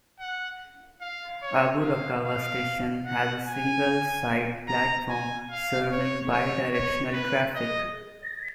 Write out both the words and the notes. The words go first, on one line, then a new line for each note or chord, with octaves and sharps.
Aburakawa Station has a single side platform serving bidirectional traffic.
F#5
F5
C#5
F5
F5
F#5
G#5
A#5
G#5
F5
C#5
C#5
C#5
B4
D#5